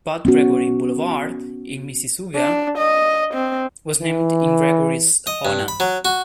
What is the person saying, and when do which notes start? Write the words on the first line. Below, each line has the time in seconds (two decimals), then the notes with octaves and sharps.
Bud Gregory Boulevard, in Mississauga, was named in Gregory's honour.
0.25 B3 C#4 F#4
2.35 D4
2.78 D#5
3.34 C4
4.01 E3
5.27 D#5
5.45 G2
5.68 B5
5.80 F#3
6.05 F#4